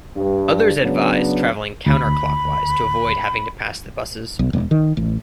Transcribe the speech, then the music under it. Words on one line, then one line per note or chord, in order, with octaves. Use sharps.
Others advise traveling counter-clockwise to avoid having to pass the buses.
G2
C#3 F#3 B3 D4
D2 B5
B1
E1
D#3
A1